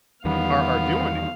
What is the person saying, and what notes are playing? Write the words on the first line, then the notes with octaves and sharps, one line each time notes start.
are are doing it.
E2 D#3 G3 B3 F5